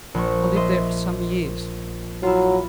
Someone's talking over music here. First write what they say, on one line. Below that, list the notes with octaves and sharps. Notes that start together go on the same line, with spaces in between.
I lived there for some years.
A#1 C#6
D#5 E5 C6
F#3 E4 F4